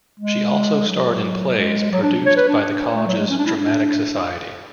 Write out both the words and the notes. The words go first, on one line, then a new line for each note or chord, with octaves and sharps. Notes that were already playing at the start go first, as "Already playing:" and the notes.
She also starred in plays produced by the college's dramatic society.
G#3
F#3
G#3
F#3
D4
C#5
B4
D4
A3
F#3
G#3
C#4
D4
E4
D4